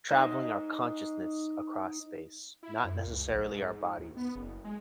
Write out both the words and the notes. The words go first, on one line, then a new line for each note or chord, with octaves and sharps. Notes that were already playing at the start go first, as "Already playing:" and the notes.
traveling our consciousness across space, not necessarily our bodies.
D#4 C5 D#5
E4
F#2
C#2
A#1
G#2
D#2
B3
F#1
G#3